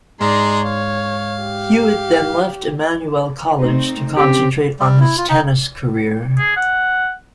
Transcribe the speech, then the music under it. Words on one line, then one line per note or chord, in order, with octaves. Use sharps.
Hewitt then left Immanuel College to concentrate on his tennis career.
G#2 G#3 D5 A#5 C6
C#5 F5
G4
A3 C4 D#4
C4 C#4 G4
G3
E4
F4
D#4
G#4
F#5